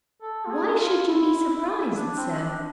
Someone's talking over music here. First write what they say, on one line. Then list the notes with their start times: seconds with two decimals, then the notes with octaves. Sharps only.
"Why should you be surprised, sir?"
0.22 A4
0.45 F4
0.51 G#4
0.74 E4
0.79 F4
1.08 E4
1.94 D4
2.16 C4
2.37 D4